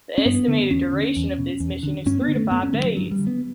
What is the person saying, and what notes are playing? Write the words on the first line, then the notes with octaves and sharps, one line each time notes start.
The estimated duration of this mission is three to five days.
C#4
G2 B3
D3
E2 C#4
D3
E2
B2
E2
D3
G2 C#4
B3
D3
A3
F#2 B3
C#4
D3 A3
G3
F#3
G2 F#3
G3
D3
B3